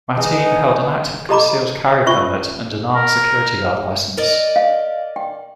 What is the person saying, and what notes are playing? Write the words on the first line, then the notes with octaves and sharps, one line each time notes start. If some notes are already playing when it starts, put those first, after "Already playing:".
Mateen held an active concealed carry permit and an armed security guard licence.
E3 G#3 D#4 B4
G4 A4 D#5 A#5 B5 D6
C#4 F4 C5 E5 C#6
A#4
A#4 D5 D#5
F5
G5